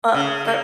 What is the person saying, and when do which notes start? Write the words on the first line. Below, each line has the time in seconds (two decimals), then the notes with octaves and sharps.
Uh, for
0.14 C#3
0.46 A#3